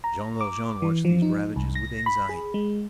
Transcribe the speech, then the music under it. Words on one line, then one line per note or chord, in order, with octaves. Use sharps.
Jean Valjean watched these ravages with anxiety.
A#5
D6
E3
F3
D#4
C2
A#6
B5
G#4
G#3